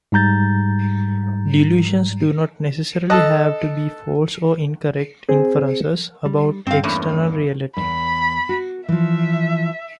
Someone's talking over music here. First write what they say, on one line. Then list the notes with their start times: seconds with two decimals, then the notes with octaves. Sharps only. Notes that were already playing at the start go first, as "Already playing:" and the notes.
Delusions do not necessarily have to be false or 'incorrect inferences about external reality'.
0.12 G#2 G3 A#5 G6 A6
3.10 A4 D#5 A5 F#6
5.29 C4 G#4
6.26 G3
6.67 G2 C4 F5
6.84 E2 G2 A3 A#3 C#4
7.77 E2 G2 B5
8.49 F#4
8.89 E3 F3 E5